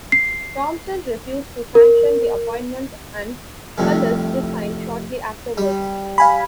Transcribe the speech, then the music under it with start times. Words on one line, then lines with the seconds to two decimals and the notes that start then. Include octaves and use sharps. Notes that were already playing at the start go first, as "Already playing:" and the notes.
Thompson refused to sanction the appointment and Cullis resigned shortly afterwards.
0.12 C7
1.75 A#4
3.78 C2 F2 A2
5.57 G3
6.18 F5 G#5 B5